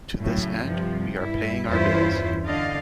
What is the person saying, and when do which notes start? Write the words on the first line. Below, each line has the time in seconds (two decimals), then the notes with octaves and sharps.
To this end, we are paying our bills.
0.20 A2 C#3 F#3
0.65 G2 C3 F3
1.18 G2 G3 E4
1.67 E2 G2 C#4 E4 F4 C5
2.46 D3 D4 D#5 F5